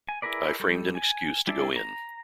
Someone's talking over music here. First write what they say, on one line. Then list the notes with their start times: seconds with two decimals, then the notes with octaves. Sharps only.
I framed an excuse to go in.
0.09 G#5
0.22 E4 G#4 A#4 B4 D5
0.60 G3 A4 G6
0.95 G#5
1.47 G3 D4 E4 G#4 D5
1.76 A#5